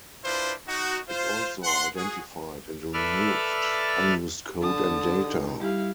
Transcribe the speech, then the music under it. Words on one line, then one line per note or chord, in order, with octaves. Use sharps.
It also identified and removed unused code and data.
D4 E4 F4 B4 C5
D#4 F#4
F4 C5
F#5 C6
F#4 G#4
A4 B4 D5 E5 F6 A6
D3 A5 D#6
D#4
G3 E4 G4 F5